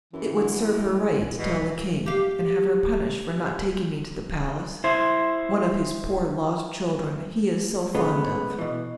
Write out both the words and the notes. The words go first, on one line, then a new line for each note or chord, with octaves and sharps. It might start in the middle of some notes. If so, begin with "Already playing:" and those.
It would serve her right to tell the king and have her punished for not taking me to the palace--one of his poor lost children he is so fond of!
F#2 E3
D3
A2
A#1
B2 E3
G4 F5
E4 C5
C#3 G#3 A3 B3
B2 E3